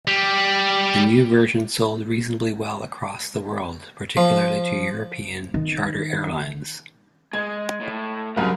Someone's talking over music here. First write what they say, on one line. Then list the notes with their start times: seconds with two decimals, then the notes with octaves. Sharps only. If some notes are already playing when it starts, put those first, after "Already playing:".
The new version sold reasonably well across the world, particularly to European charter airlines.
0.07 G3
4.17 F3
5.54 D#3
7.33 G#3 G#6
7.81 A2
8.36 F#1 C2 F#2 A#4 B5